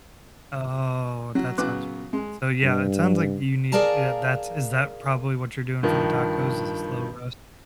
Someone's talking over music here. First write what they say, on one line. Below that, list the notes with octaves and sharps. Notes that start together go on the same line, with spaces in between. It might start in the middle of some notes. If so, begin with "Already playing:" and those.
Oh, that sounds really good. So, yeah, it sounds like you need, t eh, that that is that probably what you're doing for the tacos is a slow roast?
F#3
C#3 F#3 B3 D6 F#6
G#3
G2
G#4 A#4 D5 F5 A5 A#5
G2 D#3 F3